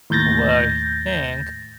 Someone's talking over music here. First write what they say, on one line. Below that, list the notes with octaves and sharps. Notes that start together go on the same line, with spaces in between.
what I think,
D#2 A2 G6 A6 A#6